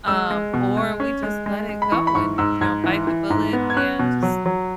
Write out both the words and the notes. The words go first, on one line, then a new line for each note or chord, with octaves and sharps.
um, or we just let it go and, you know, bite the bullet and just
G#3 E6
G#3
B2
G#3
C#4
G#3
G#3
G#3
B5
E3 C#6
B5
G#2 C#6
G#2 E6
G#2 G#6
E3
E3
G#2
B3
G#6
C#4 F#6
B2
F#3
F#3